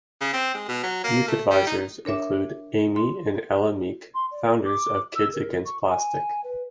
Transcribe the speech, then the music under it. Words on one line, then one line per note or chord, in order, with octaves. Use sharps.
Youth Advisors include Amy and Ella Meek founders of Kids Against Plastic.
C#3
C4
G#3
B2
F#3
A#3
A3
G3
D#4
D4 A#4 C#5 E5 D6
C6
C6
D5
D6
E6
A#4
C#6
G#5
B4